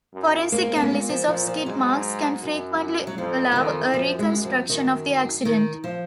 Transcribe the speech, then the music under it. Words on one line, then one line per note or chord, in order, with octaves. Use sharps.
Forensic analysis of skid marks can frequently allow a reconstruction of the accident.
F#2
G#2 A#3
B3
A#3
A#2 G#3
F3
A#2 F3
F3
G#2 F#3
F#2
F#3
F2 F3
D3
F2 D#3
F#2 F3
G#3
F3
F#2 D#3
D#3
F3